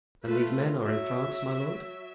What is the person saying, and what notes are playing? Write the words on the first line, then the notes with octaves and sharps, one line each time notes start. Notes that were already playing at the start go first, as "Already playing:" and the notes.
"And these men are in France, my lord?"
A3 F4 B4
F#3 E5